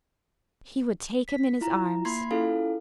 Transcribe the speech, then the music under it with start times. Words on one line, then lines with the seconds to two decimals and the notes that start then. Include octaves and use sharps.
He would take him in his arms.
1.28 B6
1.61 E4 F4 A#5
2.05 A#3 B5 C6 G#6 C7
2.31 C#4 E4 F4 G#4 A4 F5